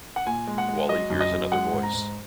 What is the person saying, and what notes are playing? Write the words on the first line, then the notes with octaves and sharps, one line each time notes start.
Wally hears another voice.
F#5
A#2 G#5
G#3
F#5
G#3
F#3 D#5
F#2
D#5
F#2
G#3 F#5
G#2
A#5
G#2